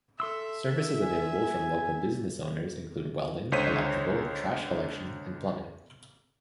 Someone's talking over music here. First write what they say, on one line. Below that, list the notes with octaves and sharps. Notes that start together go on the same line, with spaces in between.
Services available from local business owners include welding, electrical, trash collection, and plumbing.
A4 E5 C6 E6
G#5
C#2 D3 C5 C#5 B6 D#7